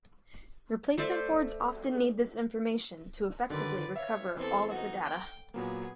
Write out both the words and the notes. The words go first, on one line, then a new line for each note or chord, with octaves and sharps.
Replacement boards often need this information to effectively recover all of the data.
A3 C5 D5 E5
F#2 D3 D#3 B4 D5
C#5 E5 F5
E2 E3 C4 A4
D#4 F#4
G5
A#2 F#3 A#3 B3 G#4